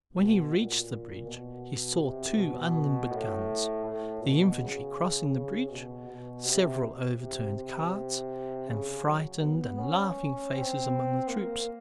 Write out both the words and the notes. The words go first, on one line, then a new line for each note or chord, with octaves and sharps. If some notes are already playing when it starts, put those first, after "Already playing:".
When he reached the bridge he saw two unlimbered guns, the infantry crossing the bridge, several overturned carts, and frightened and laughing faces among the troops.
B2
A#2
B2
C3
B2
A2
A2
B2
C#3
C#3
B2
B2
C3
C3
C3
C#3
F#3
B3
C#4
C4
A#3